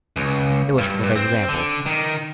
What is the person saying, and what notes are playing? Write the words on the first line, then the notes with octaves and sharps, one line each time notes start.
Illustrative examples.
C#2
G2
G2
C4
D3
D#3